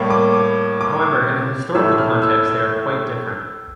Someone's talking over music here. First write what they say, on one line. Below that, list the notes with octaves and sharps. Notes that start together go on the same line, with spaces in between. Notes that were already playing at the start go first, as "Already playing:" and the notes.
However, in a historical context they are quite different.
Already playing: A2 G3 A#3
D6
D6
D6
A2 E3 A3 E6
F6
E6
E6